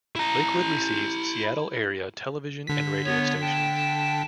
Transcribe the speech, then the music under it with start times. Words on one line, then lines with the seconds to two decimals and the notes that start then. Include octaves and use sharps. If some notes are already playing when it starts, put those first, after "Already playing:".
Lakewood receives Seattle area television and radio stations.
0.16 E4 A#5
2.67 D3 B6
3.04 B3 C#5
3.41 G5 A5